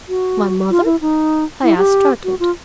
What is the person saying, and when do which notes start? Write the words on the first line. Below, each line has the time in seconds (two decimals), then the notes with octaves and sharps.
"My mother?" I asked, startled.
0.09 F#4
0.70 F4
0.85 E4
1.01 D#4
1.63 E4
1.77 G4
2.24 F#4
2.40 F4